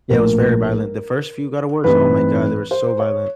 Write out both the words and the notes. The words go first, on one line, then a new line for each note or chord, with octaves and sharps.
Yeah, it was very violent. The first few God of Wars oh my god, they were so violent.
A#1 A2 F3 A3 A#4
G2 E3 A3 C4 D#4 B4
C5
C#5